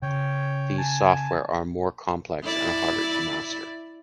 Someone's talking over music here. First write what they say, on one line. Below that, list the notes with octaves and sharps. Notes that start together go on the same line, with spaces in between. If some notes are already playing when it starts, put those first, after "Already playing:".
These software are more complex and harder to master.
C#3 C#5 G5
G#5 A5
E4 D5